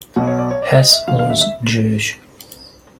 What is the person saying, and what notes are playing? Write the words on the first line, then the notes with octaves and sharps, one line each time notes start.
Hess was Jewish.
B1 B2 F#3 F#5
C#5
D5
C#5
D5
D#5
E5
D#2 D3 F#3 F5
F5
E5
E5